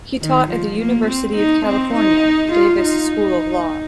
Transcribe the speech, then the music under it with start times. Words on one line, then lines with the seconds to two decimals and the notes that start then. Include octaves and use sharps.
He taught at the University of California, Davis School of Law.
0.21 D#3
0.50 F3
0.79 A#3
1.07 C4
1.36 D#4
1.66 C4
1.95 D#4
2.53 F4
2.81 D#4